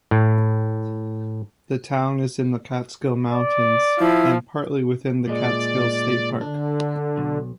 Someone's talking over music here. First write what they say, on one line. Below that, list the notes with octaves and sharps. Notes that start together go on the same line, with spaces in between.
The town is in the Catskill Mountains and partly within the Catskill State Park.
A2
D5
F3 E4
A#2 G#3 D5
D3 D4
B1